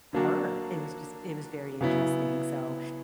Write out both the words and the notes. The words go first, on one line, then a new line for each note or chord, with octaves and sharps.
her. It was just it was very interesting, so
D3 F#3 A#3 D4 F#4
C#3 F#3 B3 E4